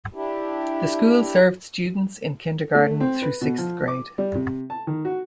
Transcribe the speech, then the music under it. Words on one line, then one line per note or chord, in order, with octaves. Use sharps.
The school served students in kindergarten through sixth grade.
D4 E4 G4
A3
C4
B4
B2
F3
D6
G3
C3
A5
D#3
F#4